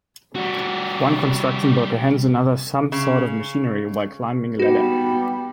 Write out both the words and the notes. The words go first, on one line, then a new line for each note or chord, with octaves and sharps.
One construction worker hands another some sort of machinery while climbing a ladder.
G3 F#4
C#3
G3 B3 D#4 F#4